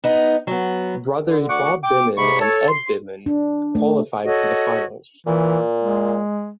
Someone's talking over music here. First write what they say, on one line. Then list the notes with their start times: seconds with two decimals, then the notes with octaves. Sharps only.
Brothers Bob Byman and Ed Byman qualified for the finals.
0.04 B3 D#4
0.47 F#3 B3
1.28 D3
1.49 D2 F#5 C#6 D6
1.84 G5 D6
2.17 G#2 C3 B5 C#6
2.41 A4 C#5
2.68 C6
3.26 D4
3.75 A3
4.24 F#4 A4 C#5 D#5
5.26 A#2 E3
5.81 G#3